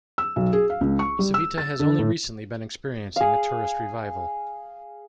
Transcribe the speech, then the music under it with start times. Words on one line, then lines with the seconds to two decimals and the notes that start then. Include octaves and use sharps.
Civita has only recently been experiencing a tourist revival.
0.18 E6
0.36 B1
0.53 G#4
0.70 F5
0.81 C#2
0.99 C#6
1.19 G3
1.34 E6
1.58 A6
1.80 D3
1.99 A2
3.16 G#4 F5